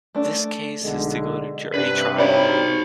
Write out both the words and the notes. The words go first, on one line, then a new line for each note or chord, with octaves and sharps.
This case is to go to Jury trial.
A3 D4
B1 D3 G#3
G2 C3 D4 B4
D#4 A#4 C#5 D5 B5